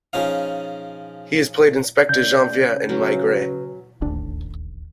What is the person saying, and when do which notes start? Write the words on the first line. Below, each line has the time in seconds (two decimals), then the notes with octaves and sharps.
He has played Inspector Janvier in Maigret.
0.13 C#3 F3 C#4 D#4 F5
2.09 C#3 D5 G6
2.89 F#3 C#4 B4
4.01 D1 A1 D#2 D4